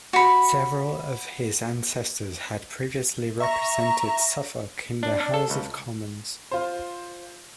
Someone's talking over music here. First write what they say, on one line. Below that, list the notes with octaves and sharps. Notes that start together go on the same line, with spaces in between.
Several of his ancestors had previously represented Suffolk in the House of Commons.
F#4 B5
E5 A#5 C#6 A#6
D4
D4
A4
C#2
F4 C5